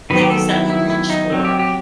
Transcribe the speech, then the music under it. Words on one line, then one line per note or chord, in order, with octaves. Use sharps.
things that we reach for,
D#3 F#3 B3 B4
G4
A4
E4
E4
E4
D#4
F#3 C4
G4
G4